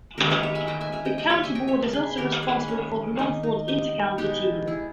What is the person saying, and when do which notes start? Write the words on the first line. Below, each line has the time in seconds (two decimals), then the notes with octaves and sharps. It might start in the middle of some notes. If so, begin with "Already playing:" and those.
The county board is also responsible for the Longford inter-county teams.
0.18 D#3 G#3 B3 G4 A#4
0.30 A#4 C#5
0.43 C#5 E5
0.55 E5 G#5
0.67 D#5 G5
0.81 E5 G#5
0.92 E5 G#5
1.05 D#5 G5
1.18 C#3 G3 A#3 D#5 G5
1.30 C#5 E5
1.44 E5 G#5
1.55 D#5 G5
1.68 C#5 E5
1.93 G#4 B4
2.17 D#3 A#3 G4 A#4
2.42 G#4 B4
2.68 C#4
3.18 D#3 A#3 D#4
3.43 D#4
3.68 D#4 G4
4.18 B2 G#3 B3 D#4 G4
4.68 E4 G#4